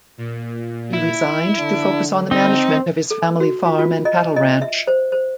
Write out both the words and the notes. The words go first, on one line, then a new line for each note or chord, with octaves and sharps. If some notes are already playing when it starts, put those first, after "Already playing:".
He resigned to focus on the management of his family farm and cattle ranch.
A#2
E4
D3 D4
C4 D#4 C5
A4
F#4
F4
F4
D#5
D#5
E5
C5
C5